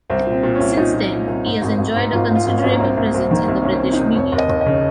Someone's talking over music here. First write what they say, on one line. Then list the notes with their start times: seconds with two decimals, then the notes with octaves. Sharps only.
Since then, he has enjoyed a considerable presence in the British media.
0.10 C2 C4
0.26 A#2
0.32 C4
0.43 A#2
0.55 C2 C#4
0.77 A#2 D#4
0.94 A#2
1.11 A#2
1.27 C2
1.45 G#2
1.62 G#1
1.79 G#1
1.96 G#2
2.12 G#1 F4
2.29 G#2
2.36 F4
2.46 G#1
2.58 C#4
2.64 G#1
2.71 A#3
2.80 C2 C4
2.97 C2 A#3
3.14 C2 C4
3.31 D#3 A#3
3.48 C2
3.62 C2 C#4
3.70 C4
3.82 C3
3.93 D#4
3.98 C3
4.16 F1 C#5
4.32 D#2
4.38 D#5
4.49 D#2
4.61 D#5
4.66 C#3